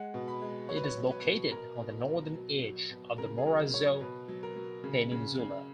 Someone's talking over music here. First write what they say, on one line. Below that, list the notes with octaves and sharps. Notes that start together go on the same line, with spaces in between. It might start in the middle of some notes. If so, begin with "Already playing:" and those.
It is located on the northern edge of the Morrazo peninsula.
Already playing: G#3 F#5
B2
B5
G#3
F#3 C#5
B4
C#5
B2
B4
B2
B2 A#4
B2
B2
F#3
F#3
B2
C#3 A#4
G#4
F#3 A#4
F#3 C#5
B2 B4
F#3
A#4
F#3
C#3
C#3
C#3